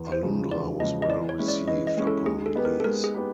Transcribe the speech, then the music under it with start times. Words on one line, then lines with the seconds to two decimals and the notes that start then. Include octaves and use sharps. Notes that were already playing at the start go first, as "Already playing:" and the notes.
"Alundra" was well received upon release.
Already playing: E2
0.12 C5
0.22 C#3 F3 G#3
0.51 E2 D5
0.80 C#3 F3 G#3 D#5
1.02 D#5
1.10 E3 D5
1.29 C#5
1.38 G#3 C#4 E4
1.48 D5
1.68 E3 D#5
1.87 D#5
1.97 G#3 C#4 E4
2.07 A4
2.26 G#3 G#4
2.46 A4
2.55 B3 D#4 G4 B4
2.65 A#4
2.80 A4
2.84 G#3 A#4
3.04 G#4
3.14 B3 D#4 G4 B4